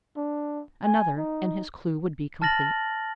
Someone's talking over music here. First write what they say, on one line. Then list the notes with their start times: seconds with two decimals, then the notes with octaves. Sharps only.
Another, and his clue would be complete!
0.17 D4
0.85 G#5
1.17 D#4
2.42 A5 F6 A6 A#6 F#7